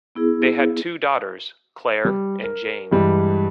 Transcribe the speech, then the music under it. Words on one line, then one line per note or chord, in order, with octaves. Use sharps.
They had two daughters, Clare and Jane.
B3 E4 G#4
G3
A#4
G2 E3 G3 G#3